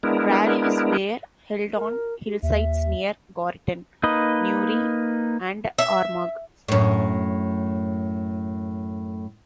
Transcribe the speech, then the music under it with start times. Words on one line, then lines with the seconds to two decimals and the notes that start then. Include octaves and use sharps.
Rallies were held on hillsides near Gortin, Newry, and Armagh.
0.03 G#3 B3 D4 E4 A#4
1.76 A#4
2.26 G4
2.43 D#2 E5
4.03 A#3 D#4 B4 D#5
5.78 E5
6.68 F#2 A2